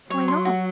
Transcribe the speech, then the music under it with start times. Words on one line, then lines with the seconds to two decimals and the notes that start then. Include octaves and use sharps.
"Why not?"
0.10 F#3 C#5
0.28 C6
0.45 F#4